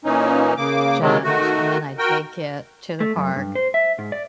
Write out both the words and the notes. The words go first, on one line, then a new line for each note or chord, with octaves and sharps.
gems, and then I'd take it to the park,
A#2 E3 C#4 D#4
C#3 A#3 D6
C3 D#3 F#3 G#3
D#3 A3 F#4
F#4 A#4 G5
A3
F#2
G2
C5
E5
G#2
D5